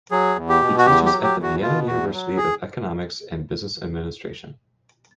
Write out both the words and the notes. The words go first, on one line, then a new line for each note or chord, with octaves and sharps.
He teaches at the Vienna University of Economics and Business Administration.
F#3 G#4
E2
G4
B2
F#4
E2 G4
G4
F#3
G4
E2
F#4
B2 F4
E2 F#4
F#3
G#4